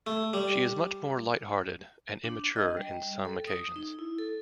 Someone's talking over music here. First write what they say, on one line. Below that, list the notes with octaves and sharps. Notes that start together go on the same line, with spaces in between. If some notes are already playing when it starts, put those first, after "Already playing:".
She is much more light-hearted and immature in some occasions.
A3
G3
D4
D#5
G3
A4
D#6
D#4
E4
A4